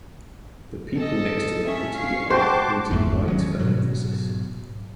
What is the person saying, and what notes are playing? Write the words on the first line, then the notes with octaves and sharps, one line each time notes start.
The people next to the putti are painted white for emphasis.
A4 D#5
C#4 E5
F5 C#6 C7
F#4 C5 G5 A5 C6 D6
G1 E2 G#2 A3
D#3 F#3 C#4
G#2 B2 F#3